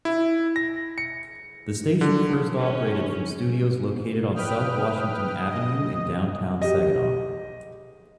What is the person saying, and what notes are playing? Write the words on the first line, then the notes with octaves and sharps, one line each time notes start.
The station first operated from studios located on South Washington Avenue in Downtown Saginaw.
E4
A#6
C#7
D3
C#4
B4 G5 D#6 F6
D#5
G4 D#5